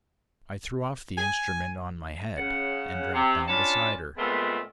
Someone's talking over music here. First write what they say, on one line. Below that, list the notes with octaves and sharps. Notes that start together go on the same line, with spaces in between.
I threw off the instrument on my head, and dropped down beside her.
G#5
C#3 F#5
C3
C#4 D4 F4 C#5 A5 B5
A#2 G#3 A3 B3 C4 F4